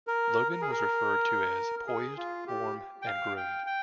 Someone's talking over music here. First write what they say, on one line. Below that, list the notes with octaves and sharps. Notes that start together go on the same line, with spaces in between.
Logan was referred to as "poised, warm and groomed".
A#4
A#4
G#4
A#4
G#4
F4
G4
G5
F5
G5
G5